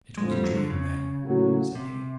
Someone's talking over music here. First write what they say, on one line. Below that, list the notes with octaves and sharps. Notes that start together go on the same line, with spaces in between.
'It was a dream, then,' said he.
F2 D3 F3 G#3 A3
G3
F#3
D3
C#3
A2 F#3 A#3 C#4 F#4
C3